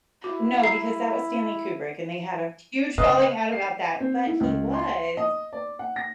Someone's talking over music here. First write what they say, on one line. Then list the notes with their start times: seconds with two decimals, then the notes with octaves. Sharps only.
No, because that was Stanley Kubrick, and they had a huge falling out about that, but he was
0.24 E4 F#4
0.64 G3 A#5 C7
2.98 C#3 B4 D#5 F5
3.52 C7
4.00 C4
4.27 E4
4.40 C#2
4.74 C6
5.17 D#5
5.53 D5
5.79 F#5
5.96 A#6